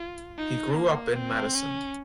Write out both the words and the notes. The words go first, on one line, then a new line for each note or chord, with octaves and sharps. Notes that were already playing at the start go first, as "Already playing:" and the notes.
He grew up in Madison.
Already playing: F4
D#4
A#3
C4
C#4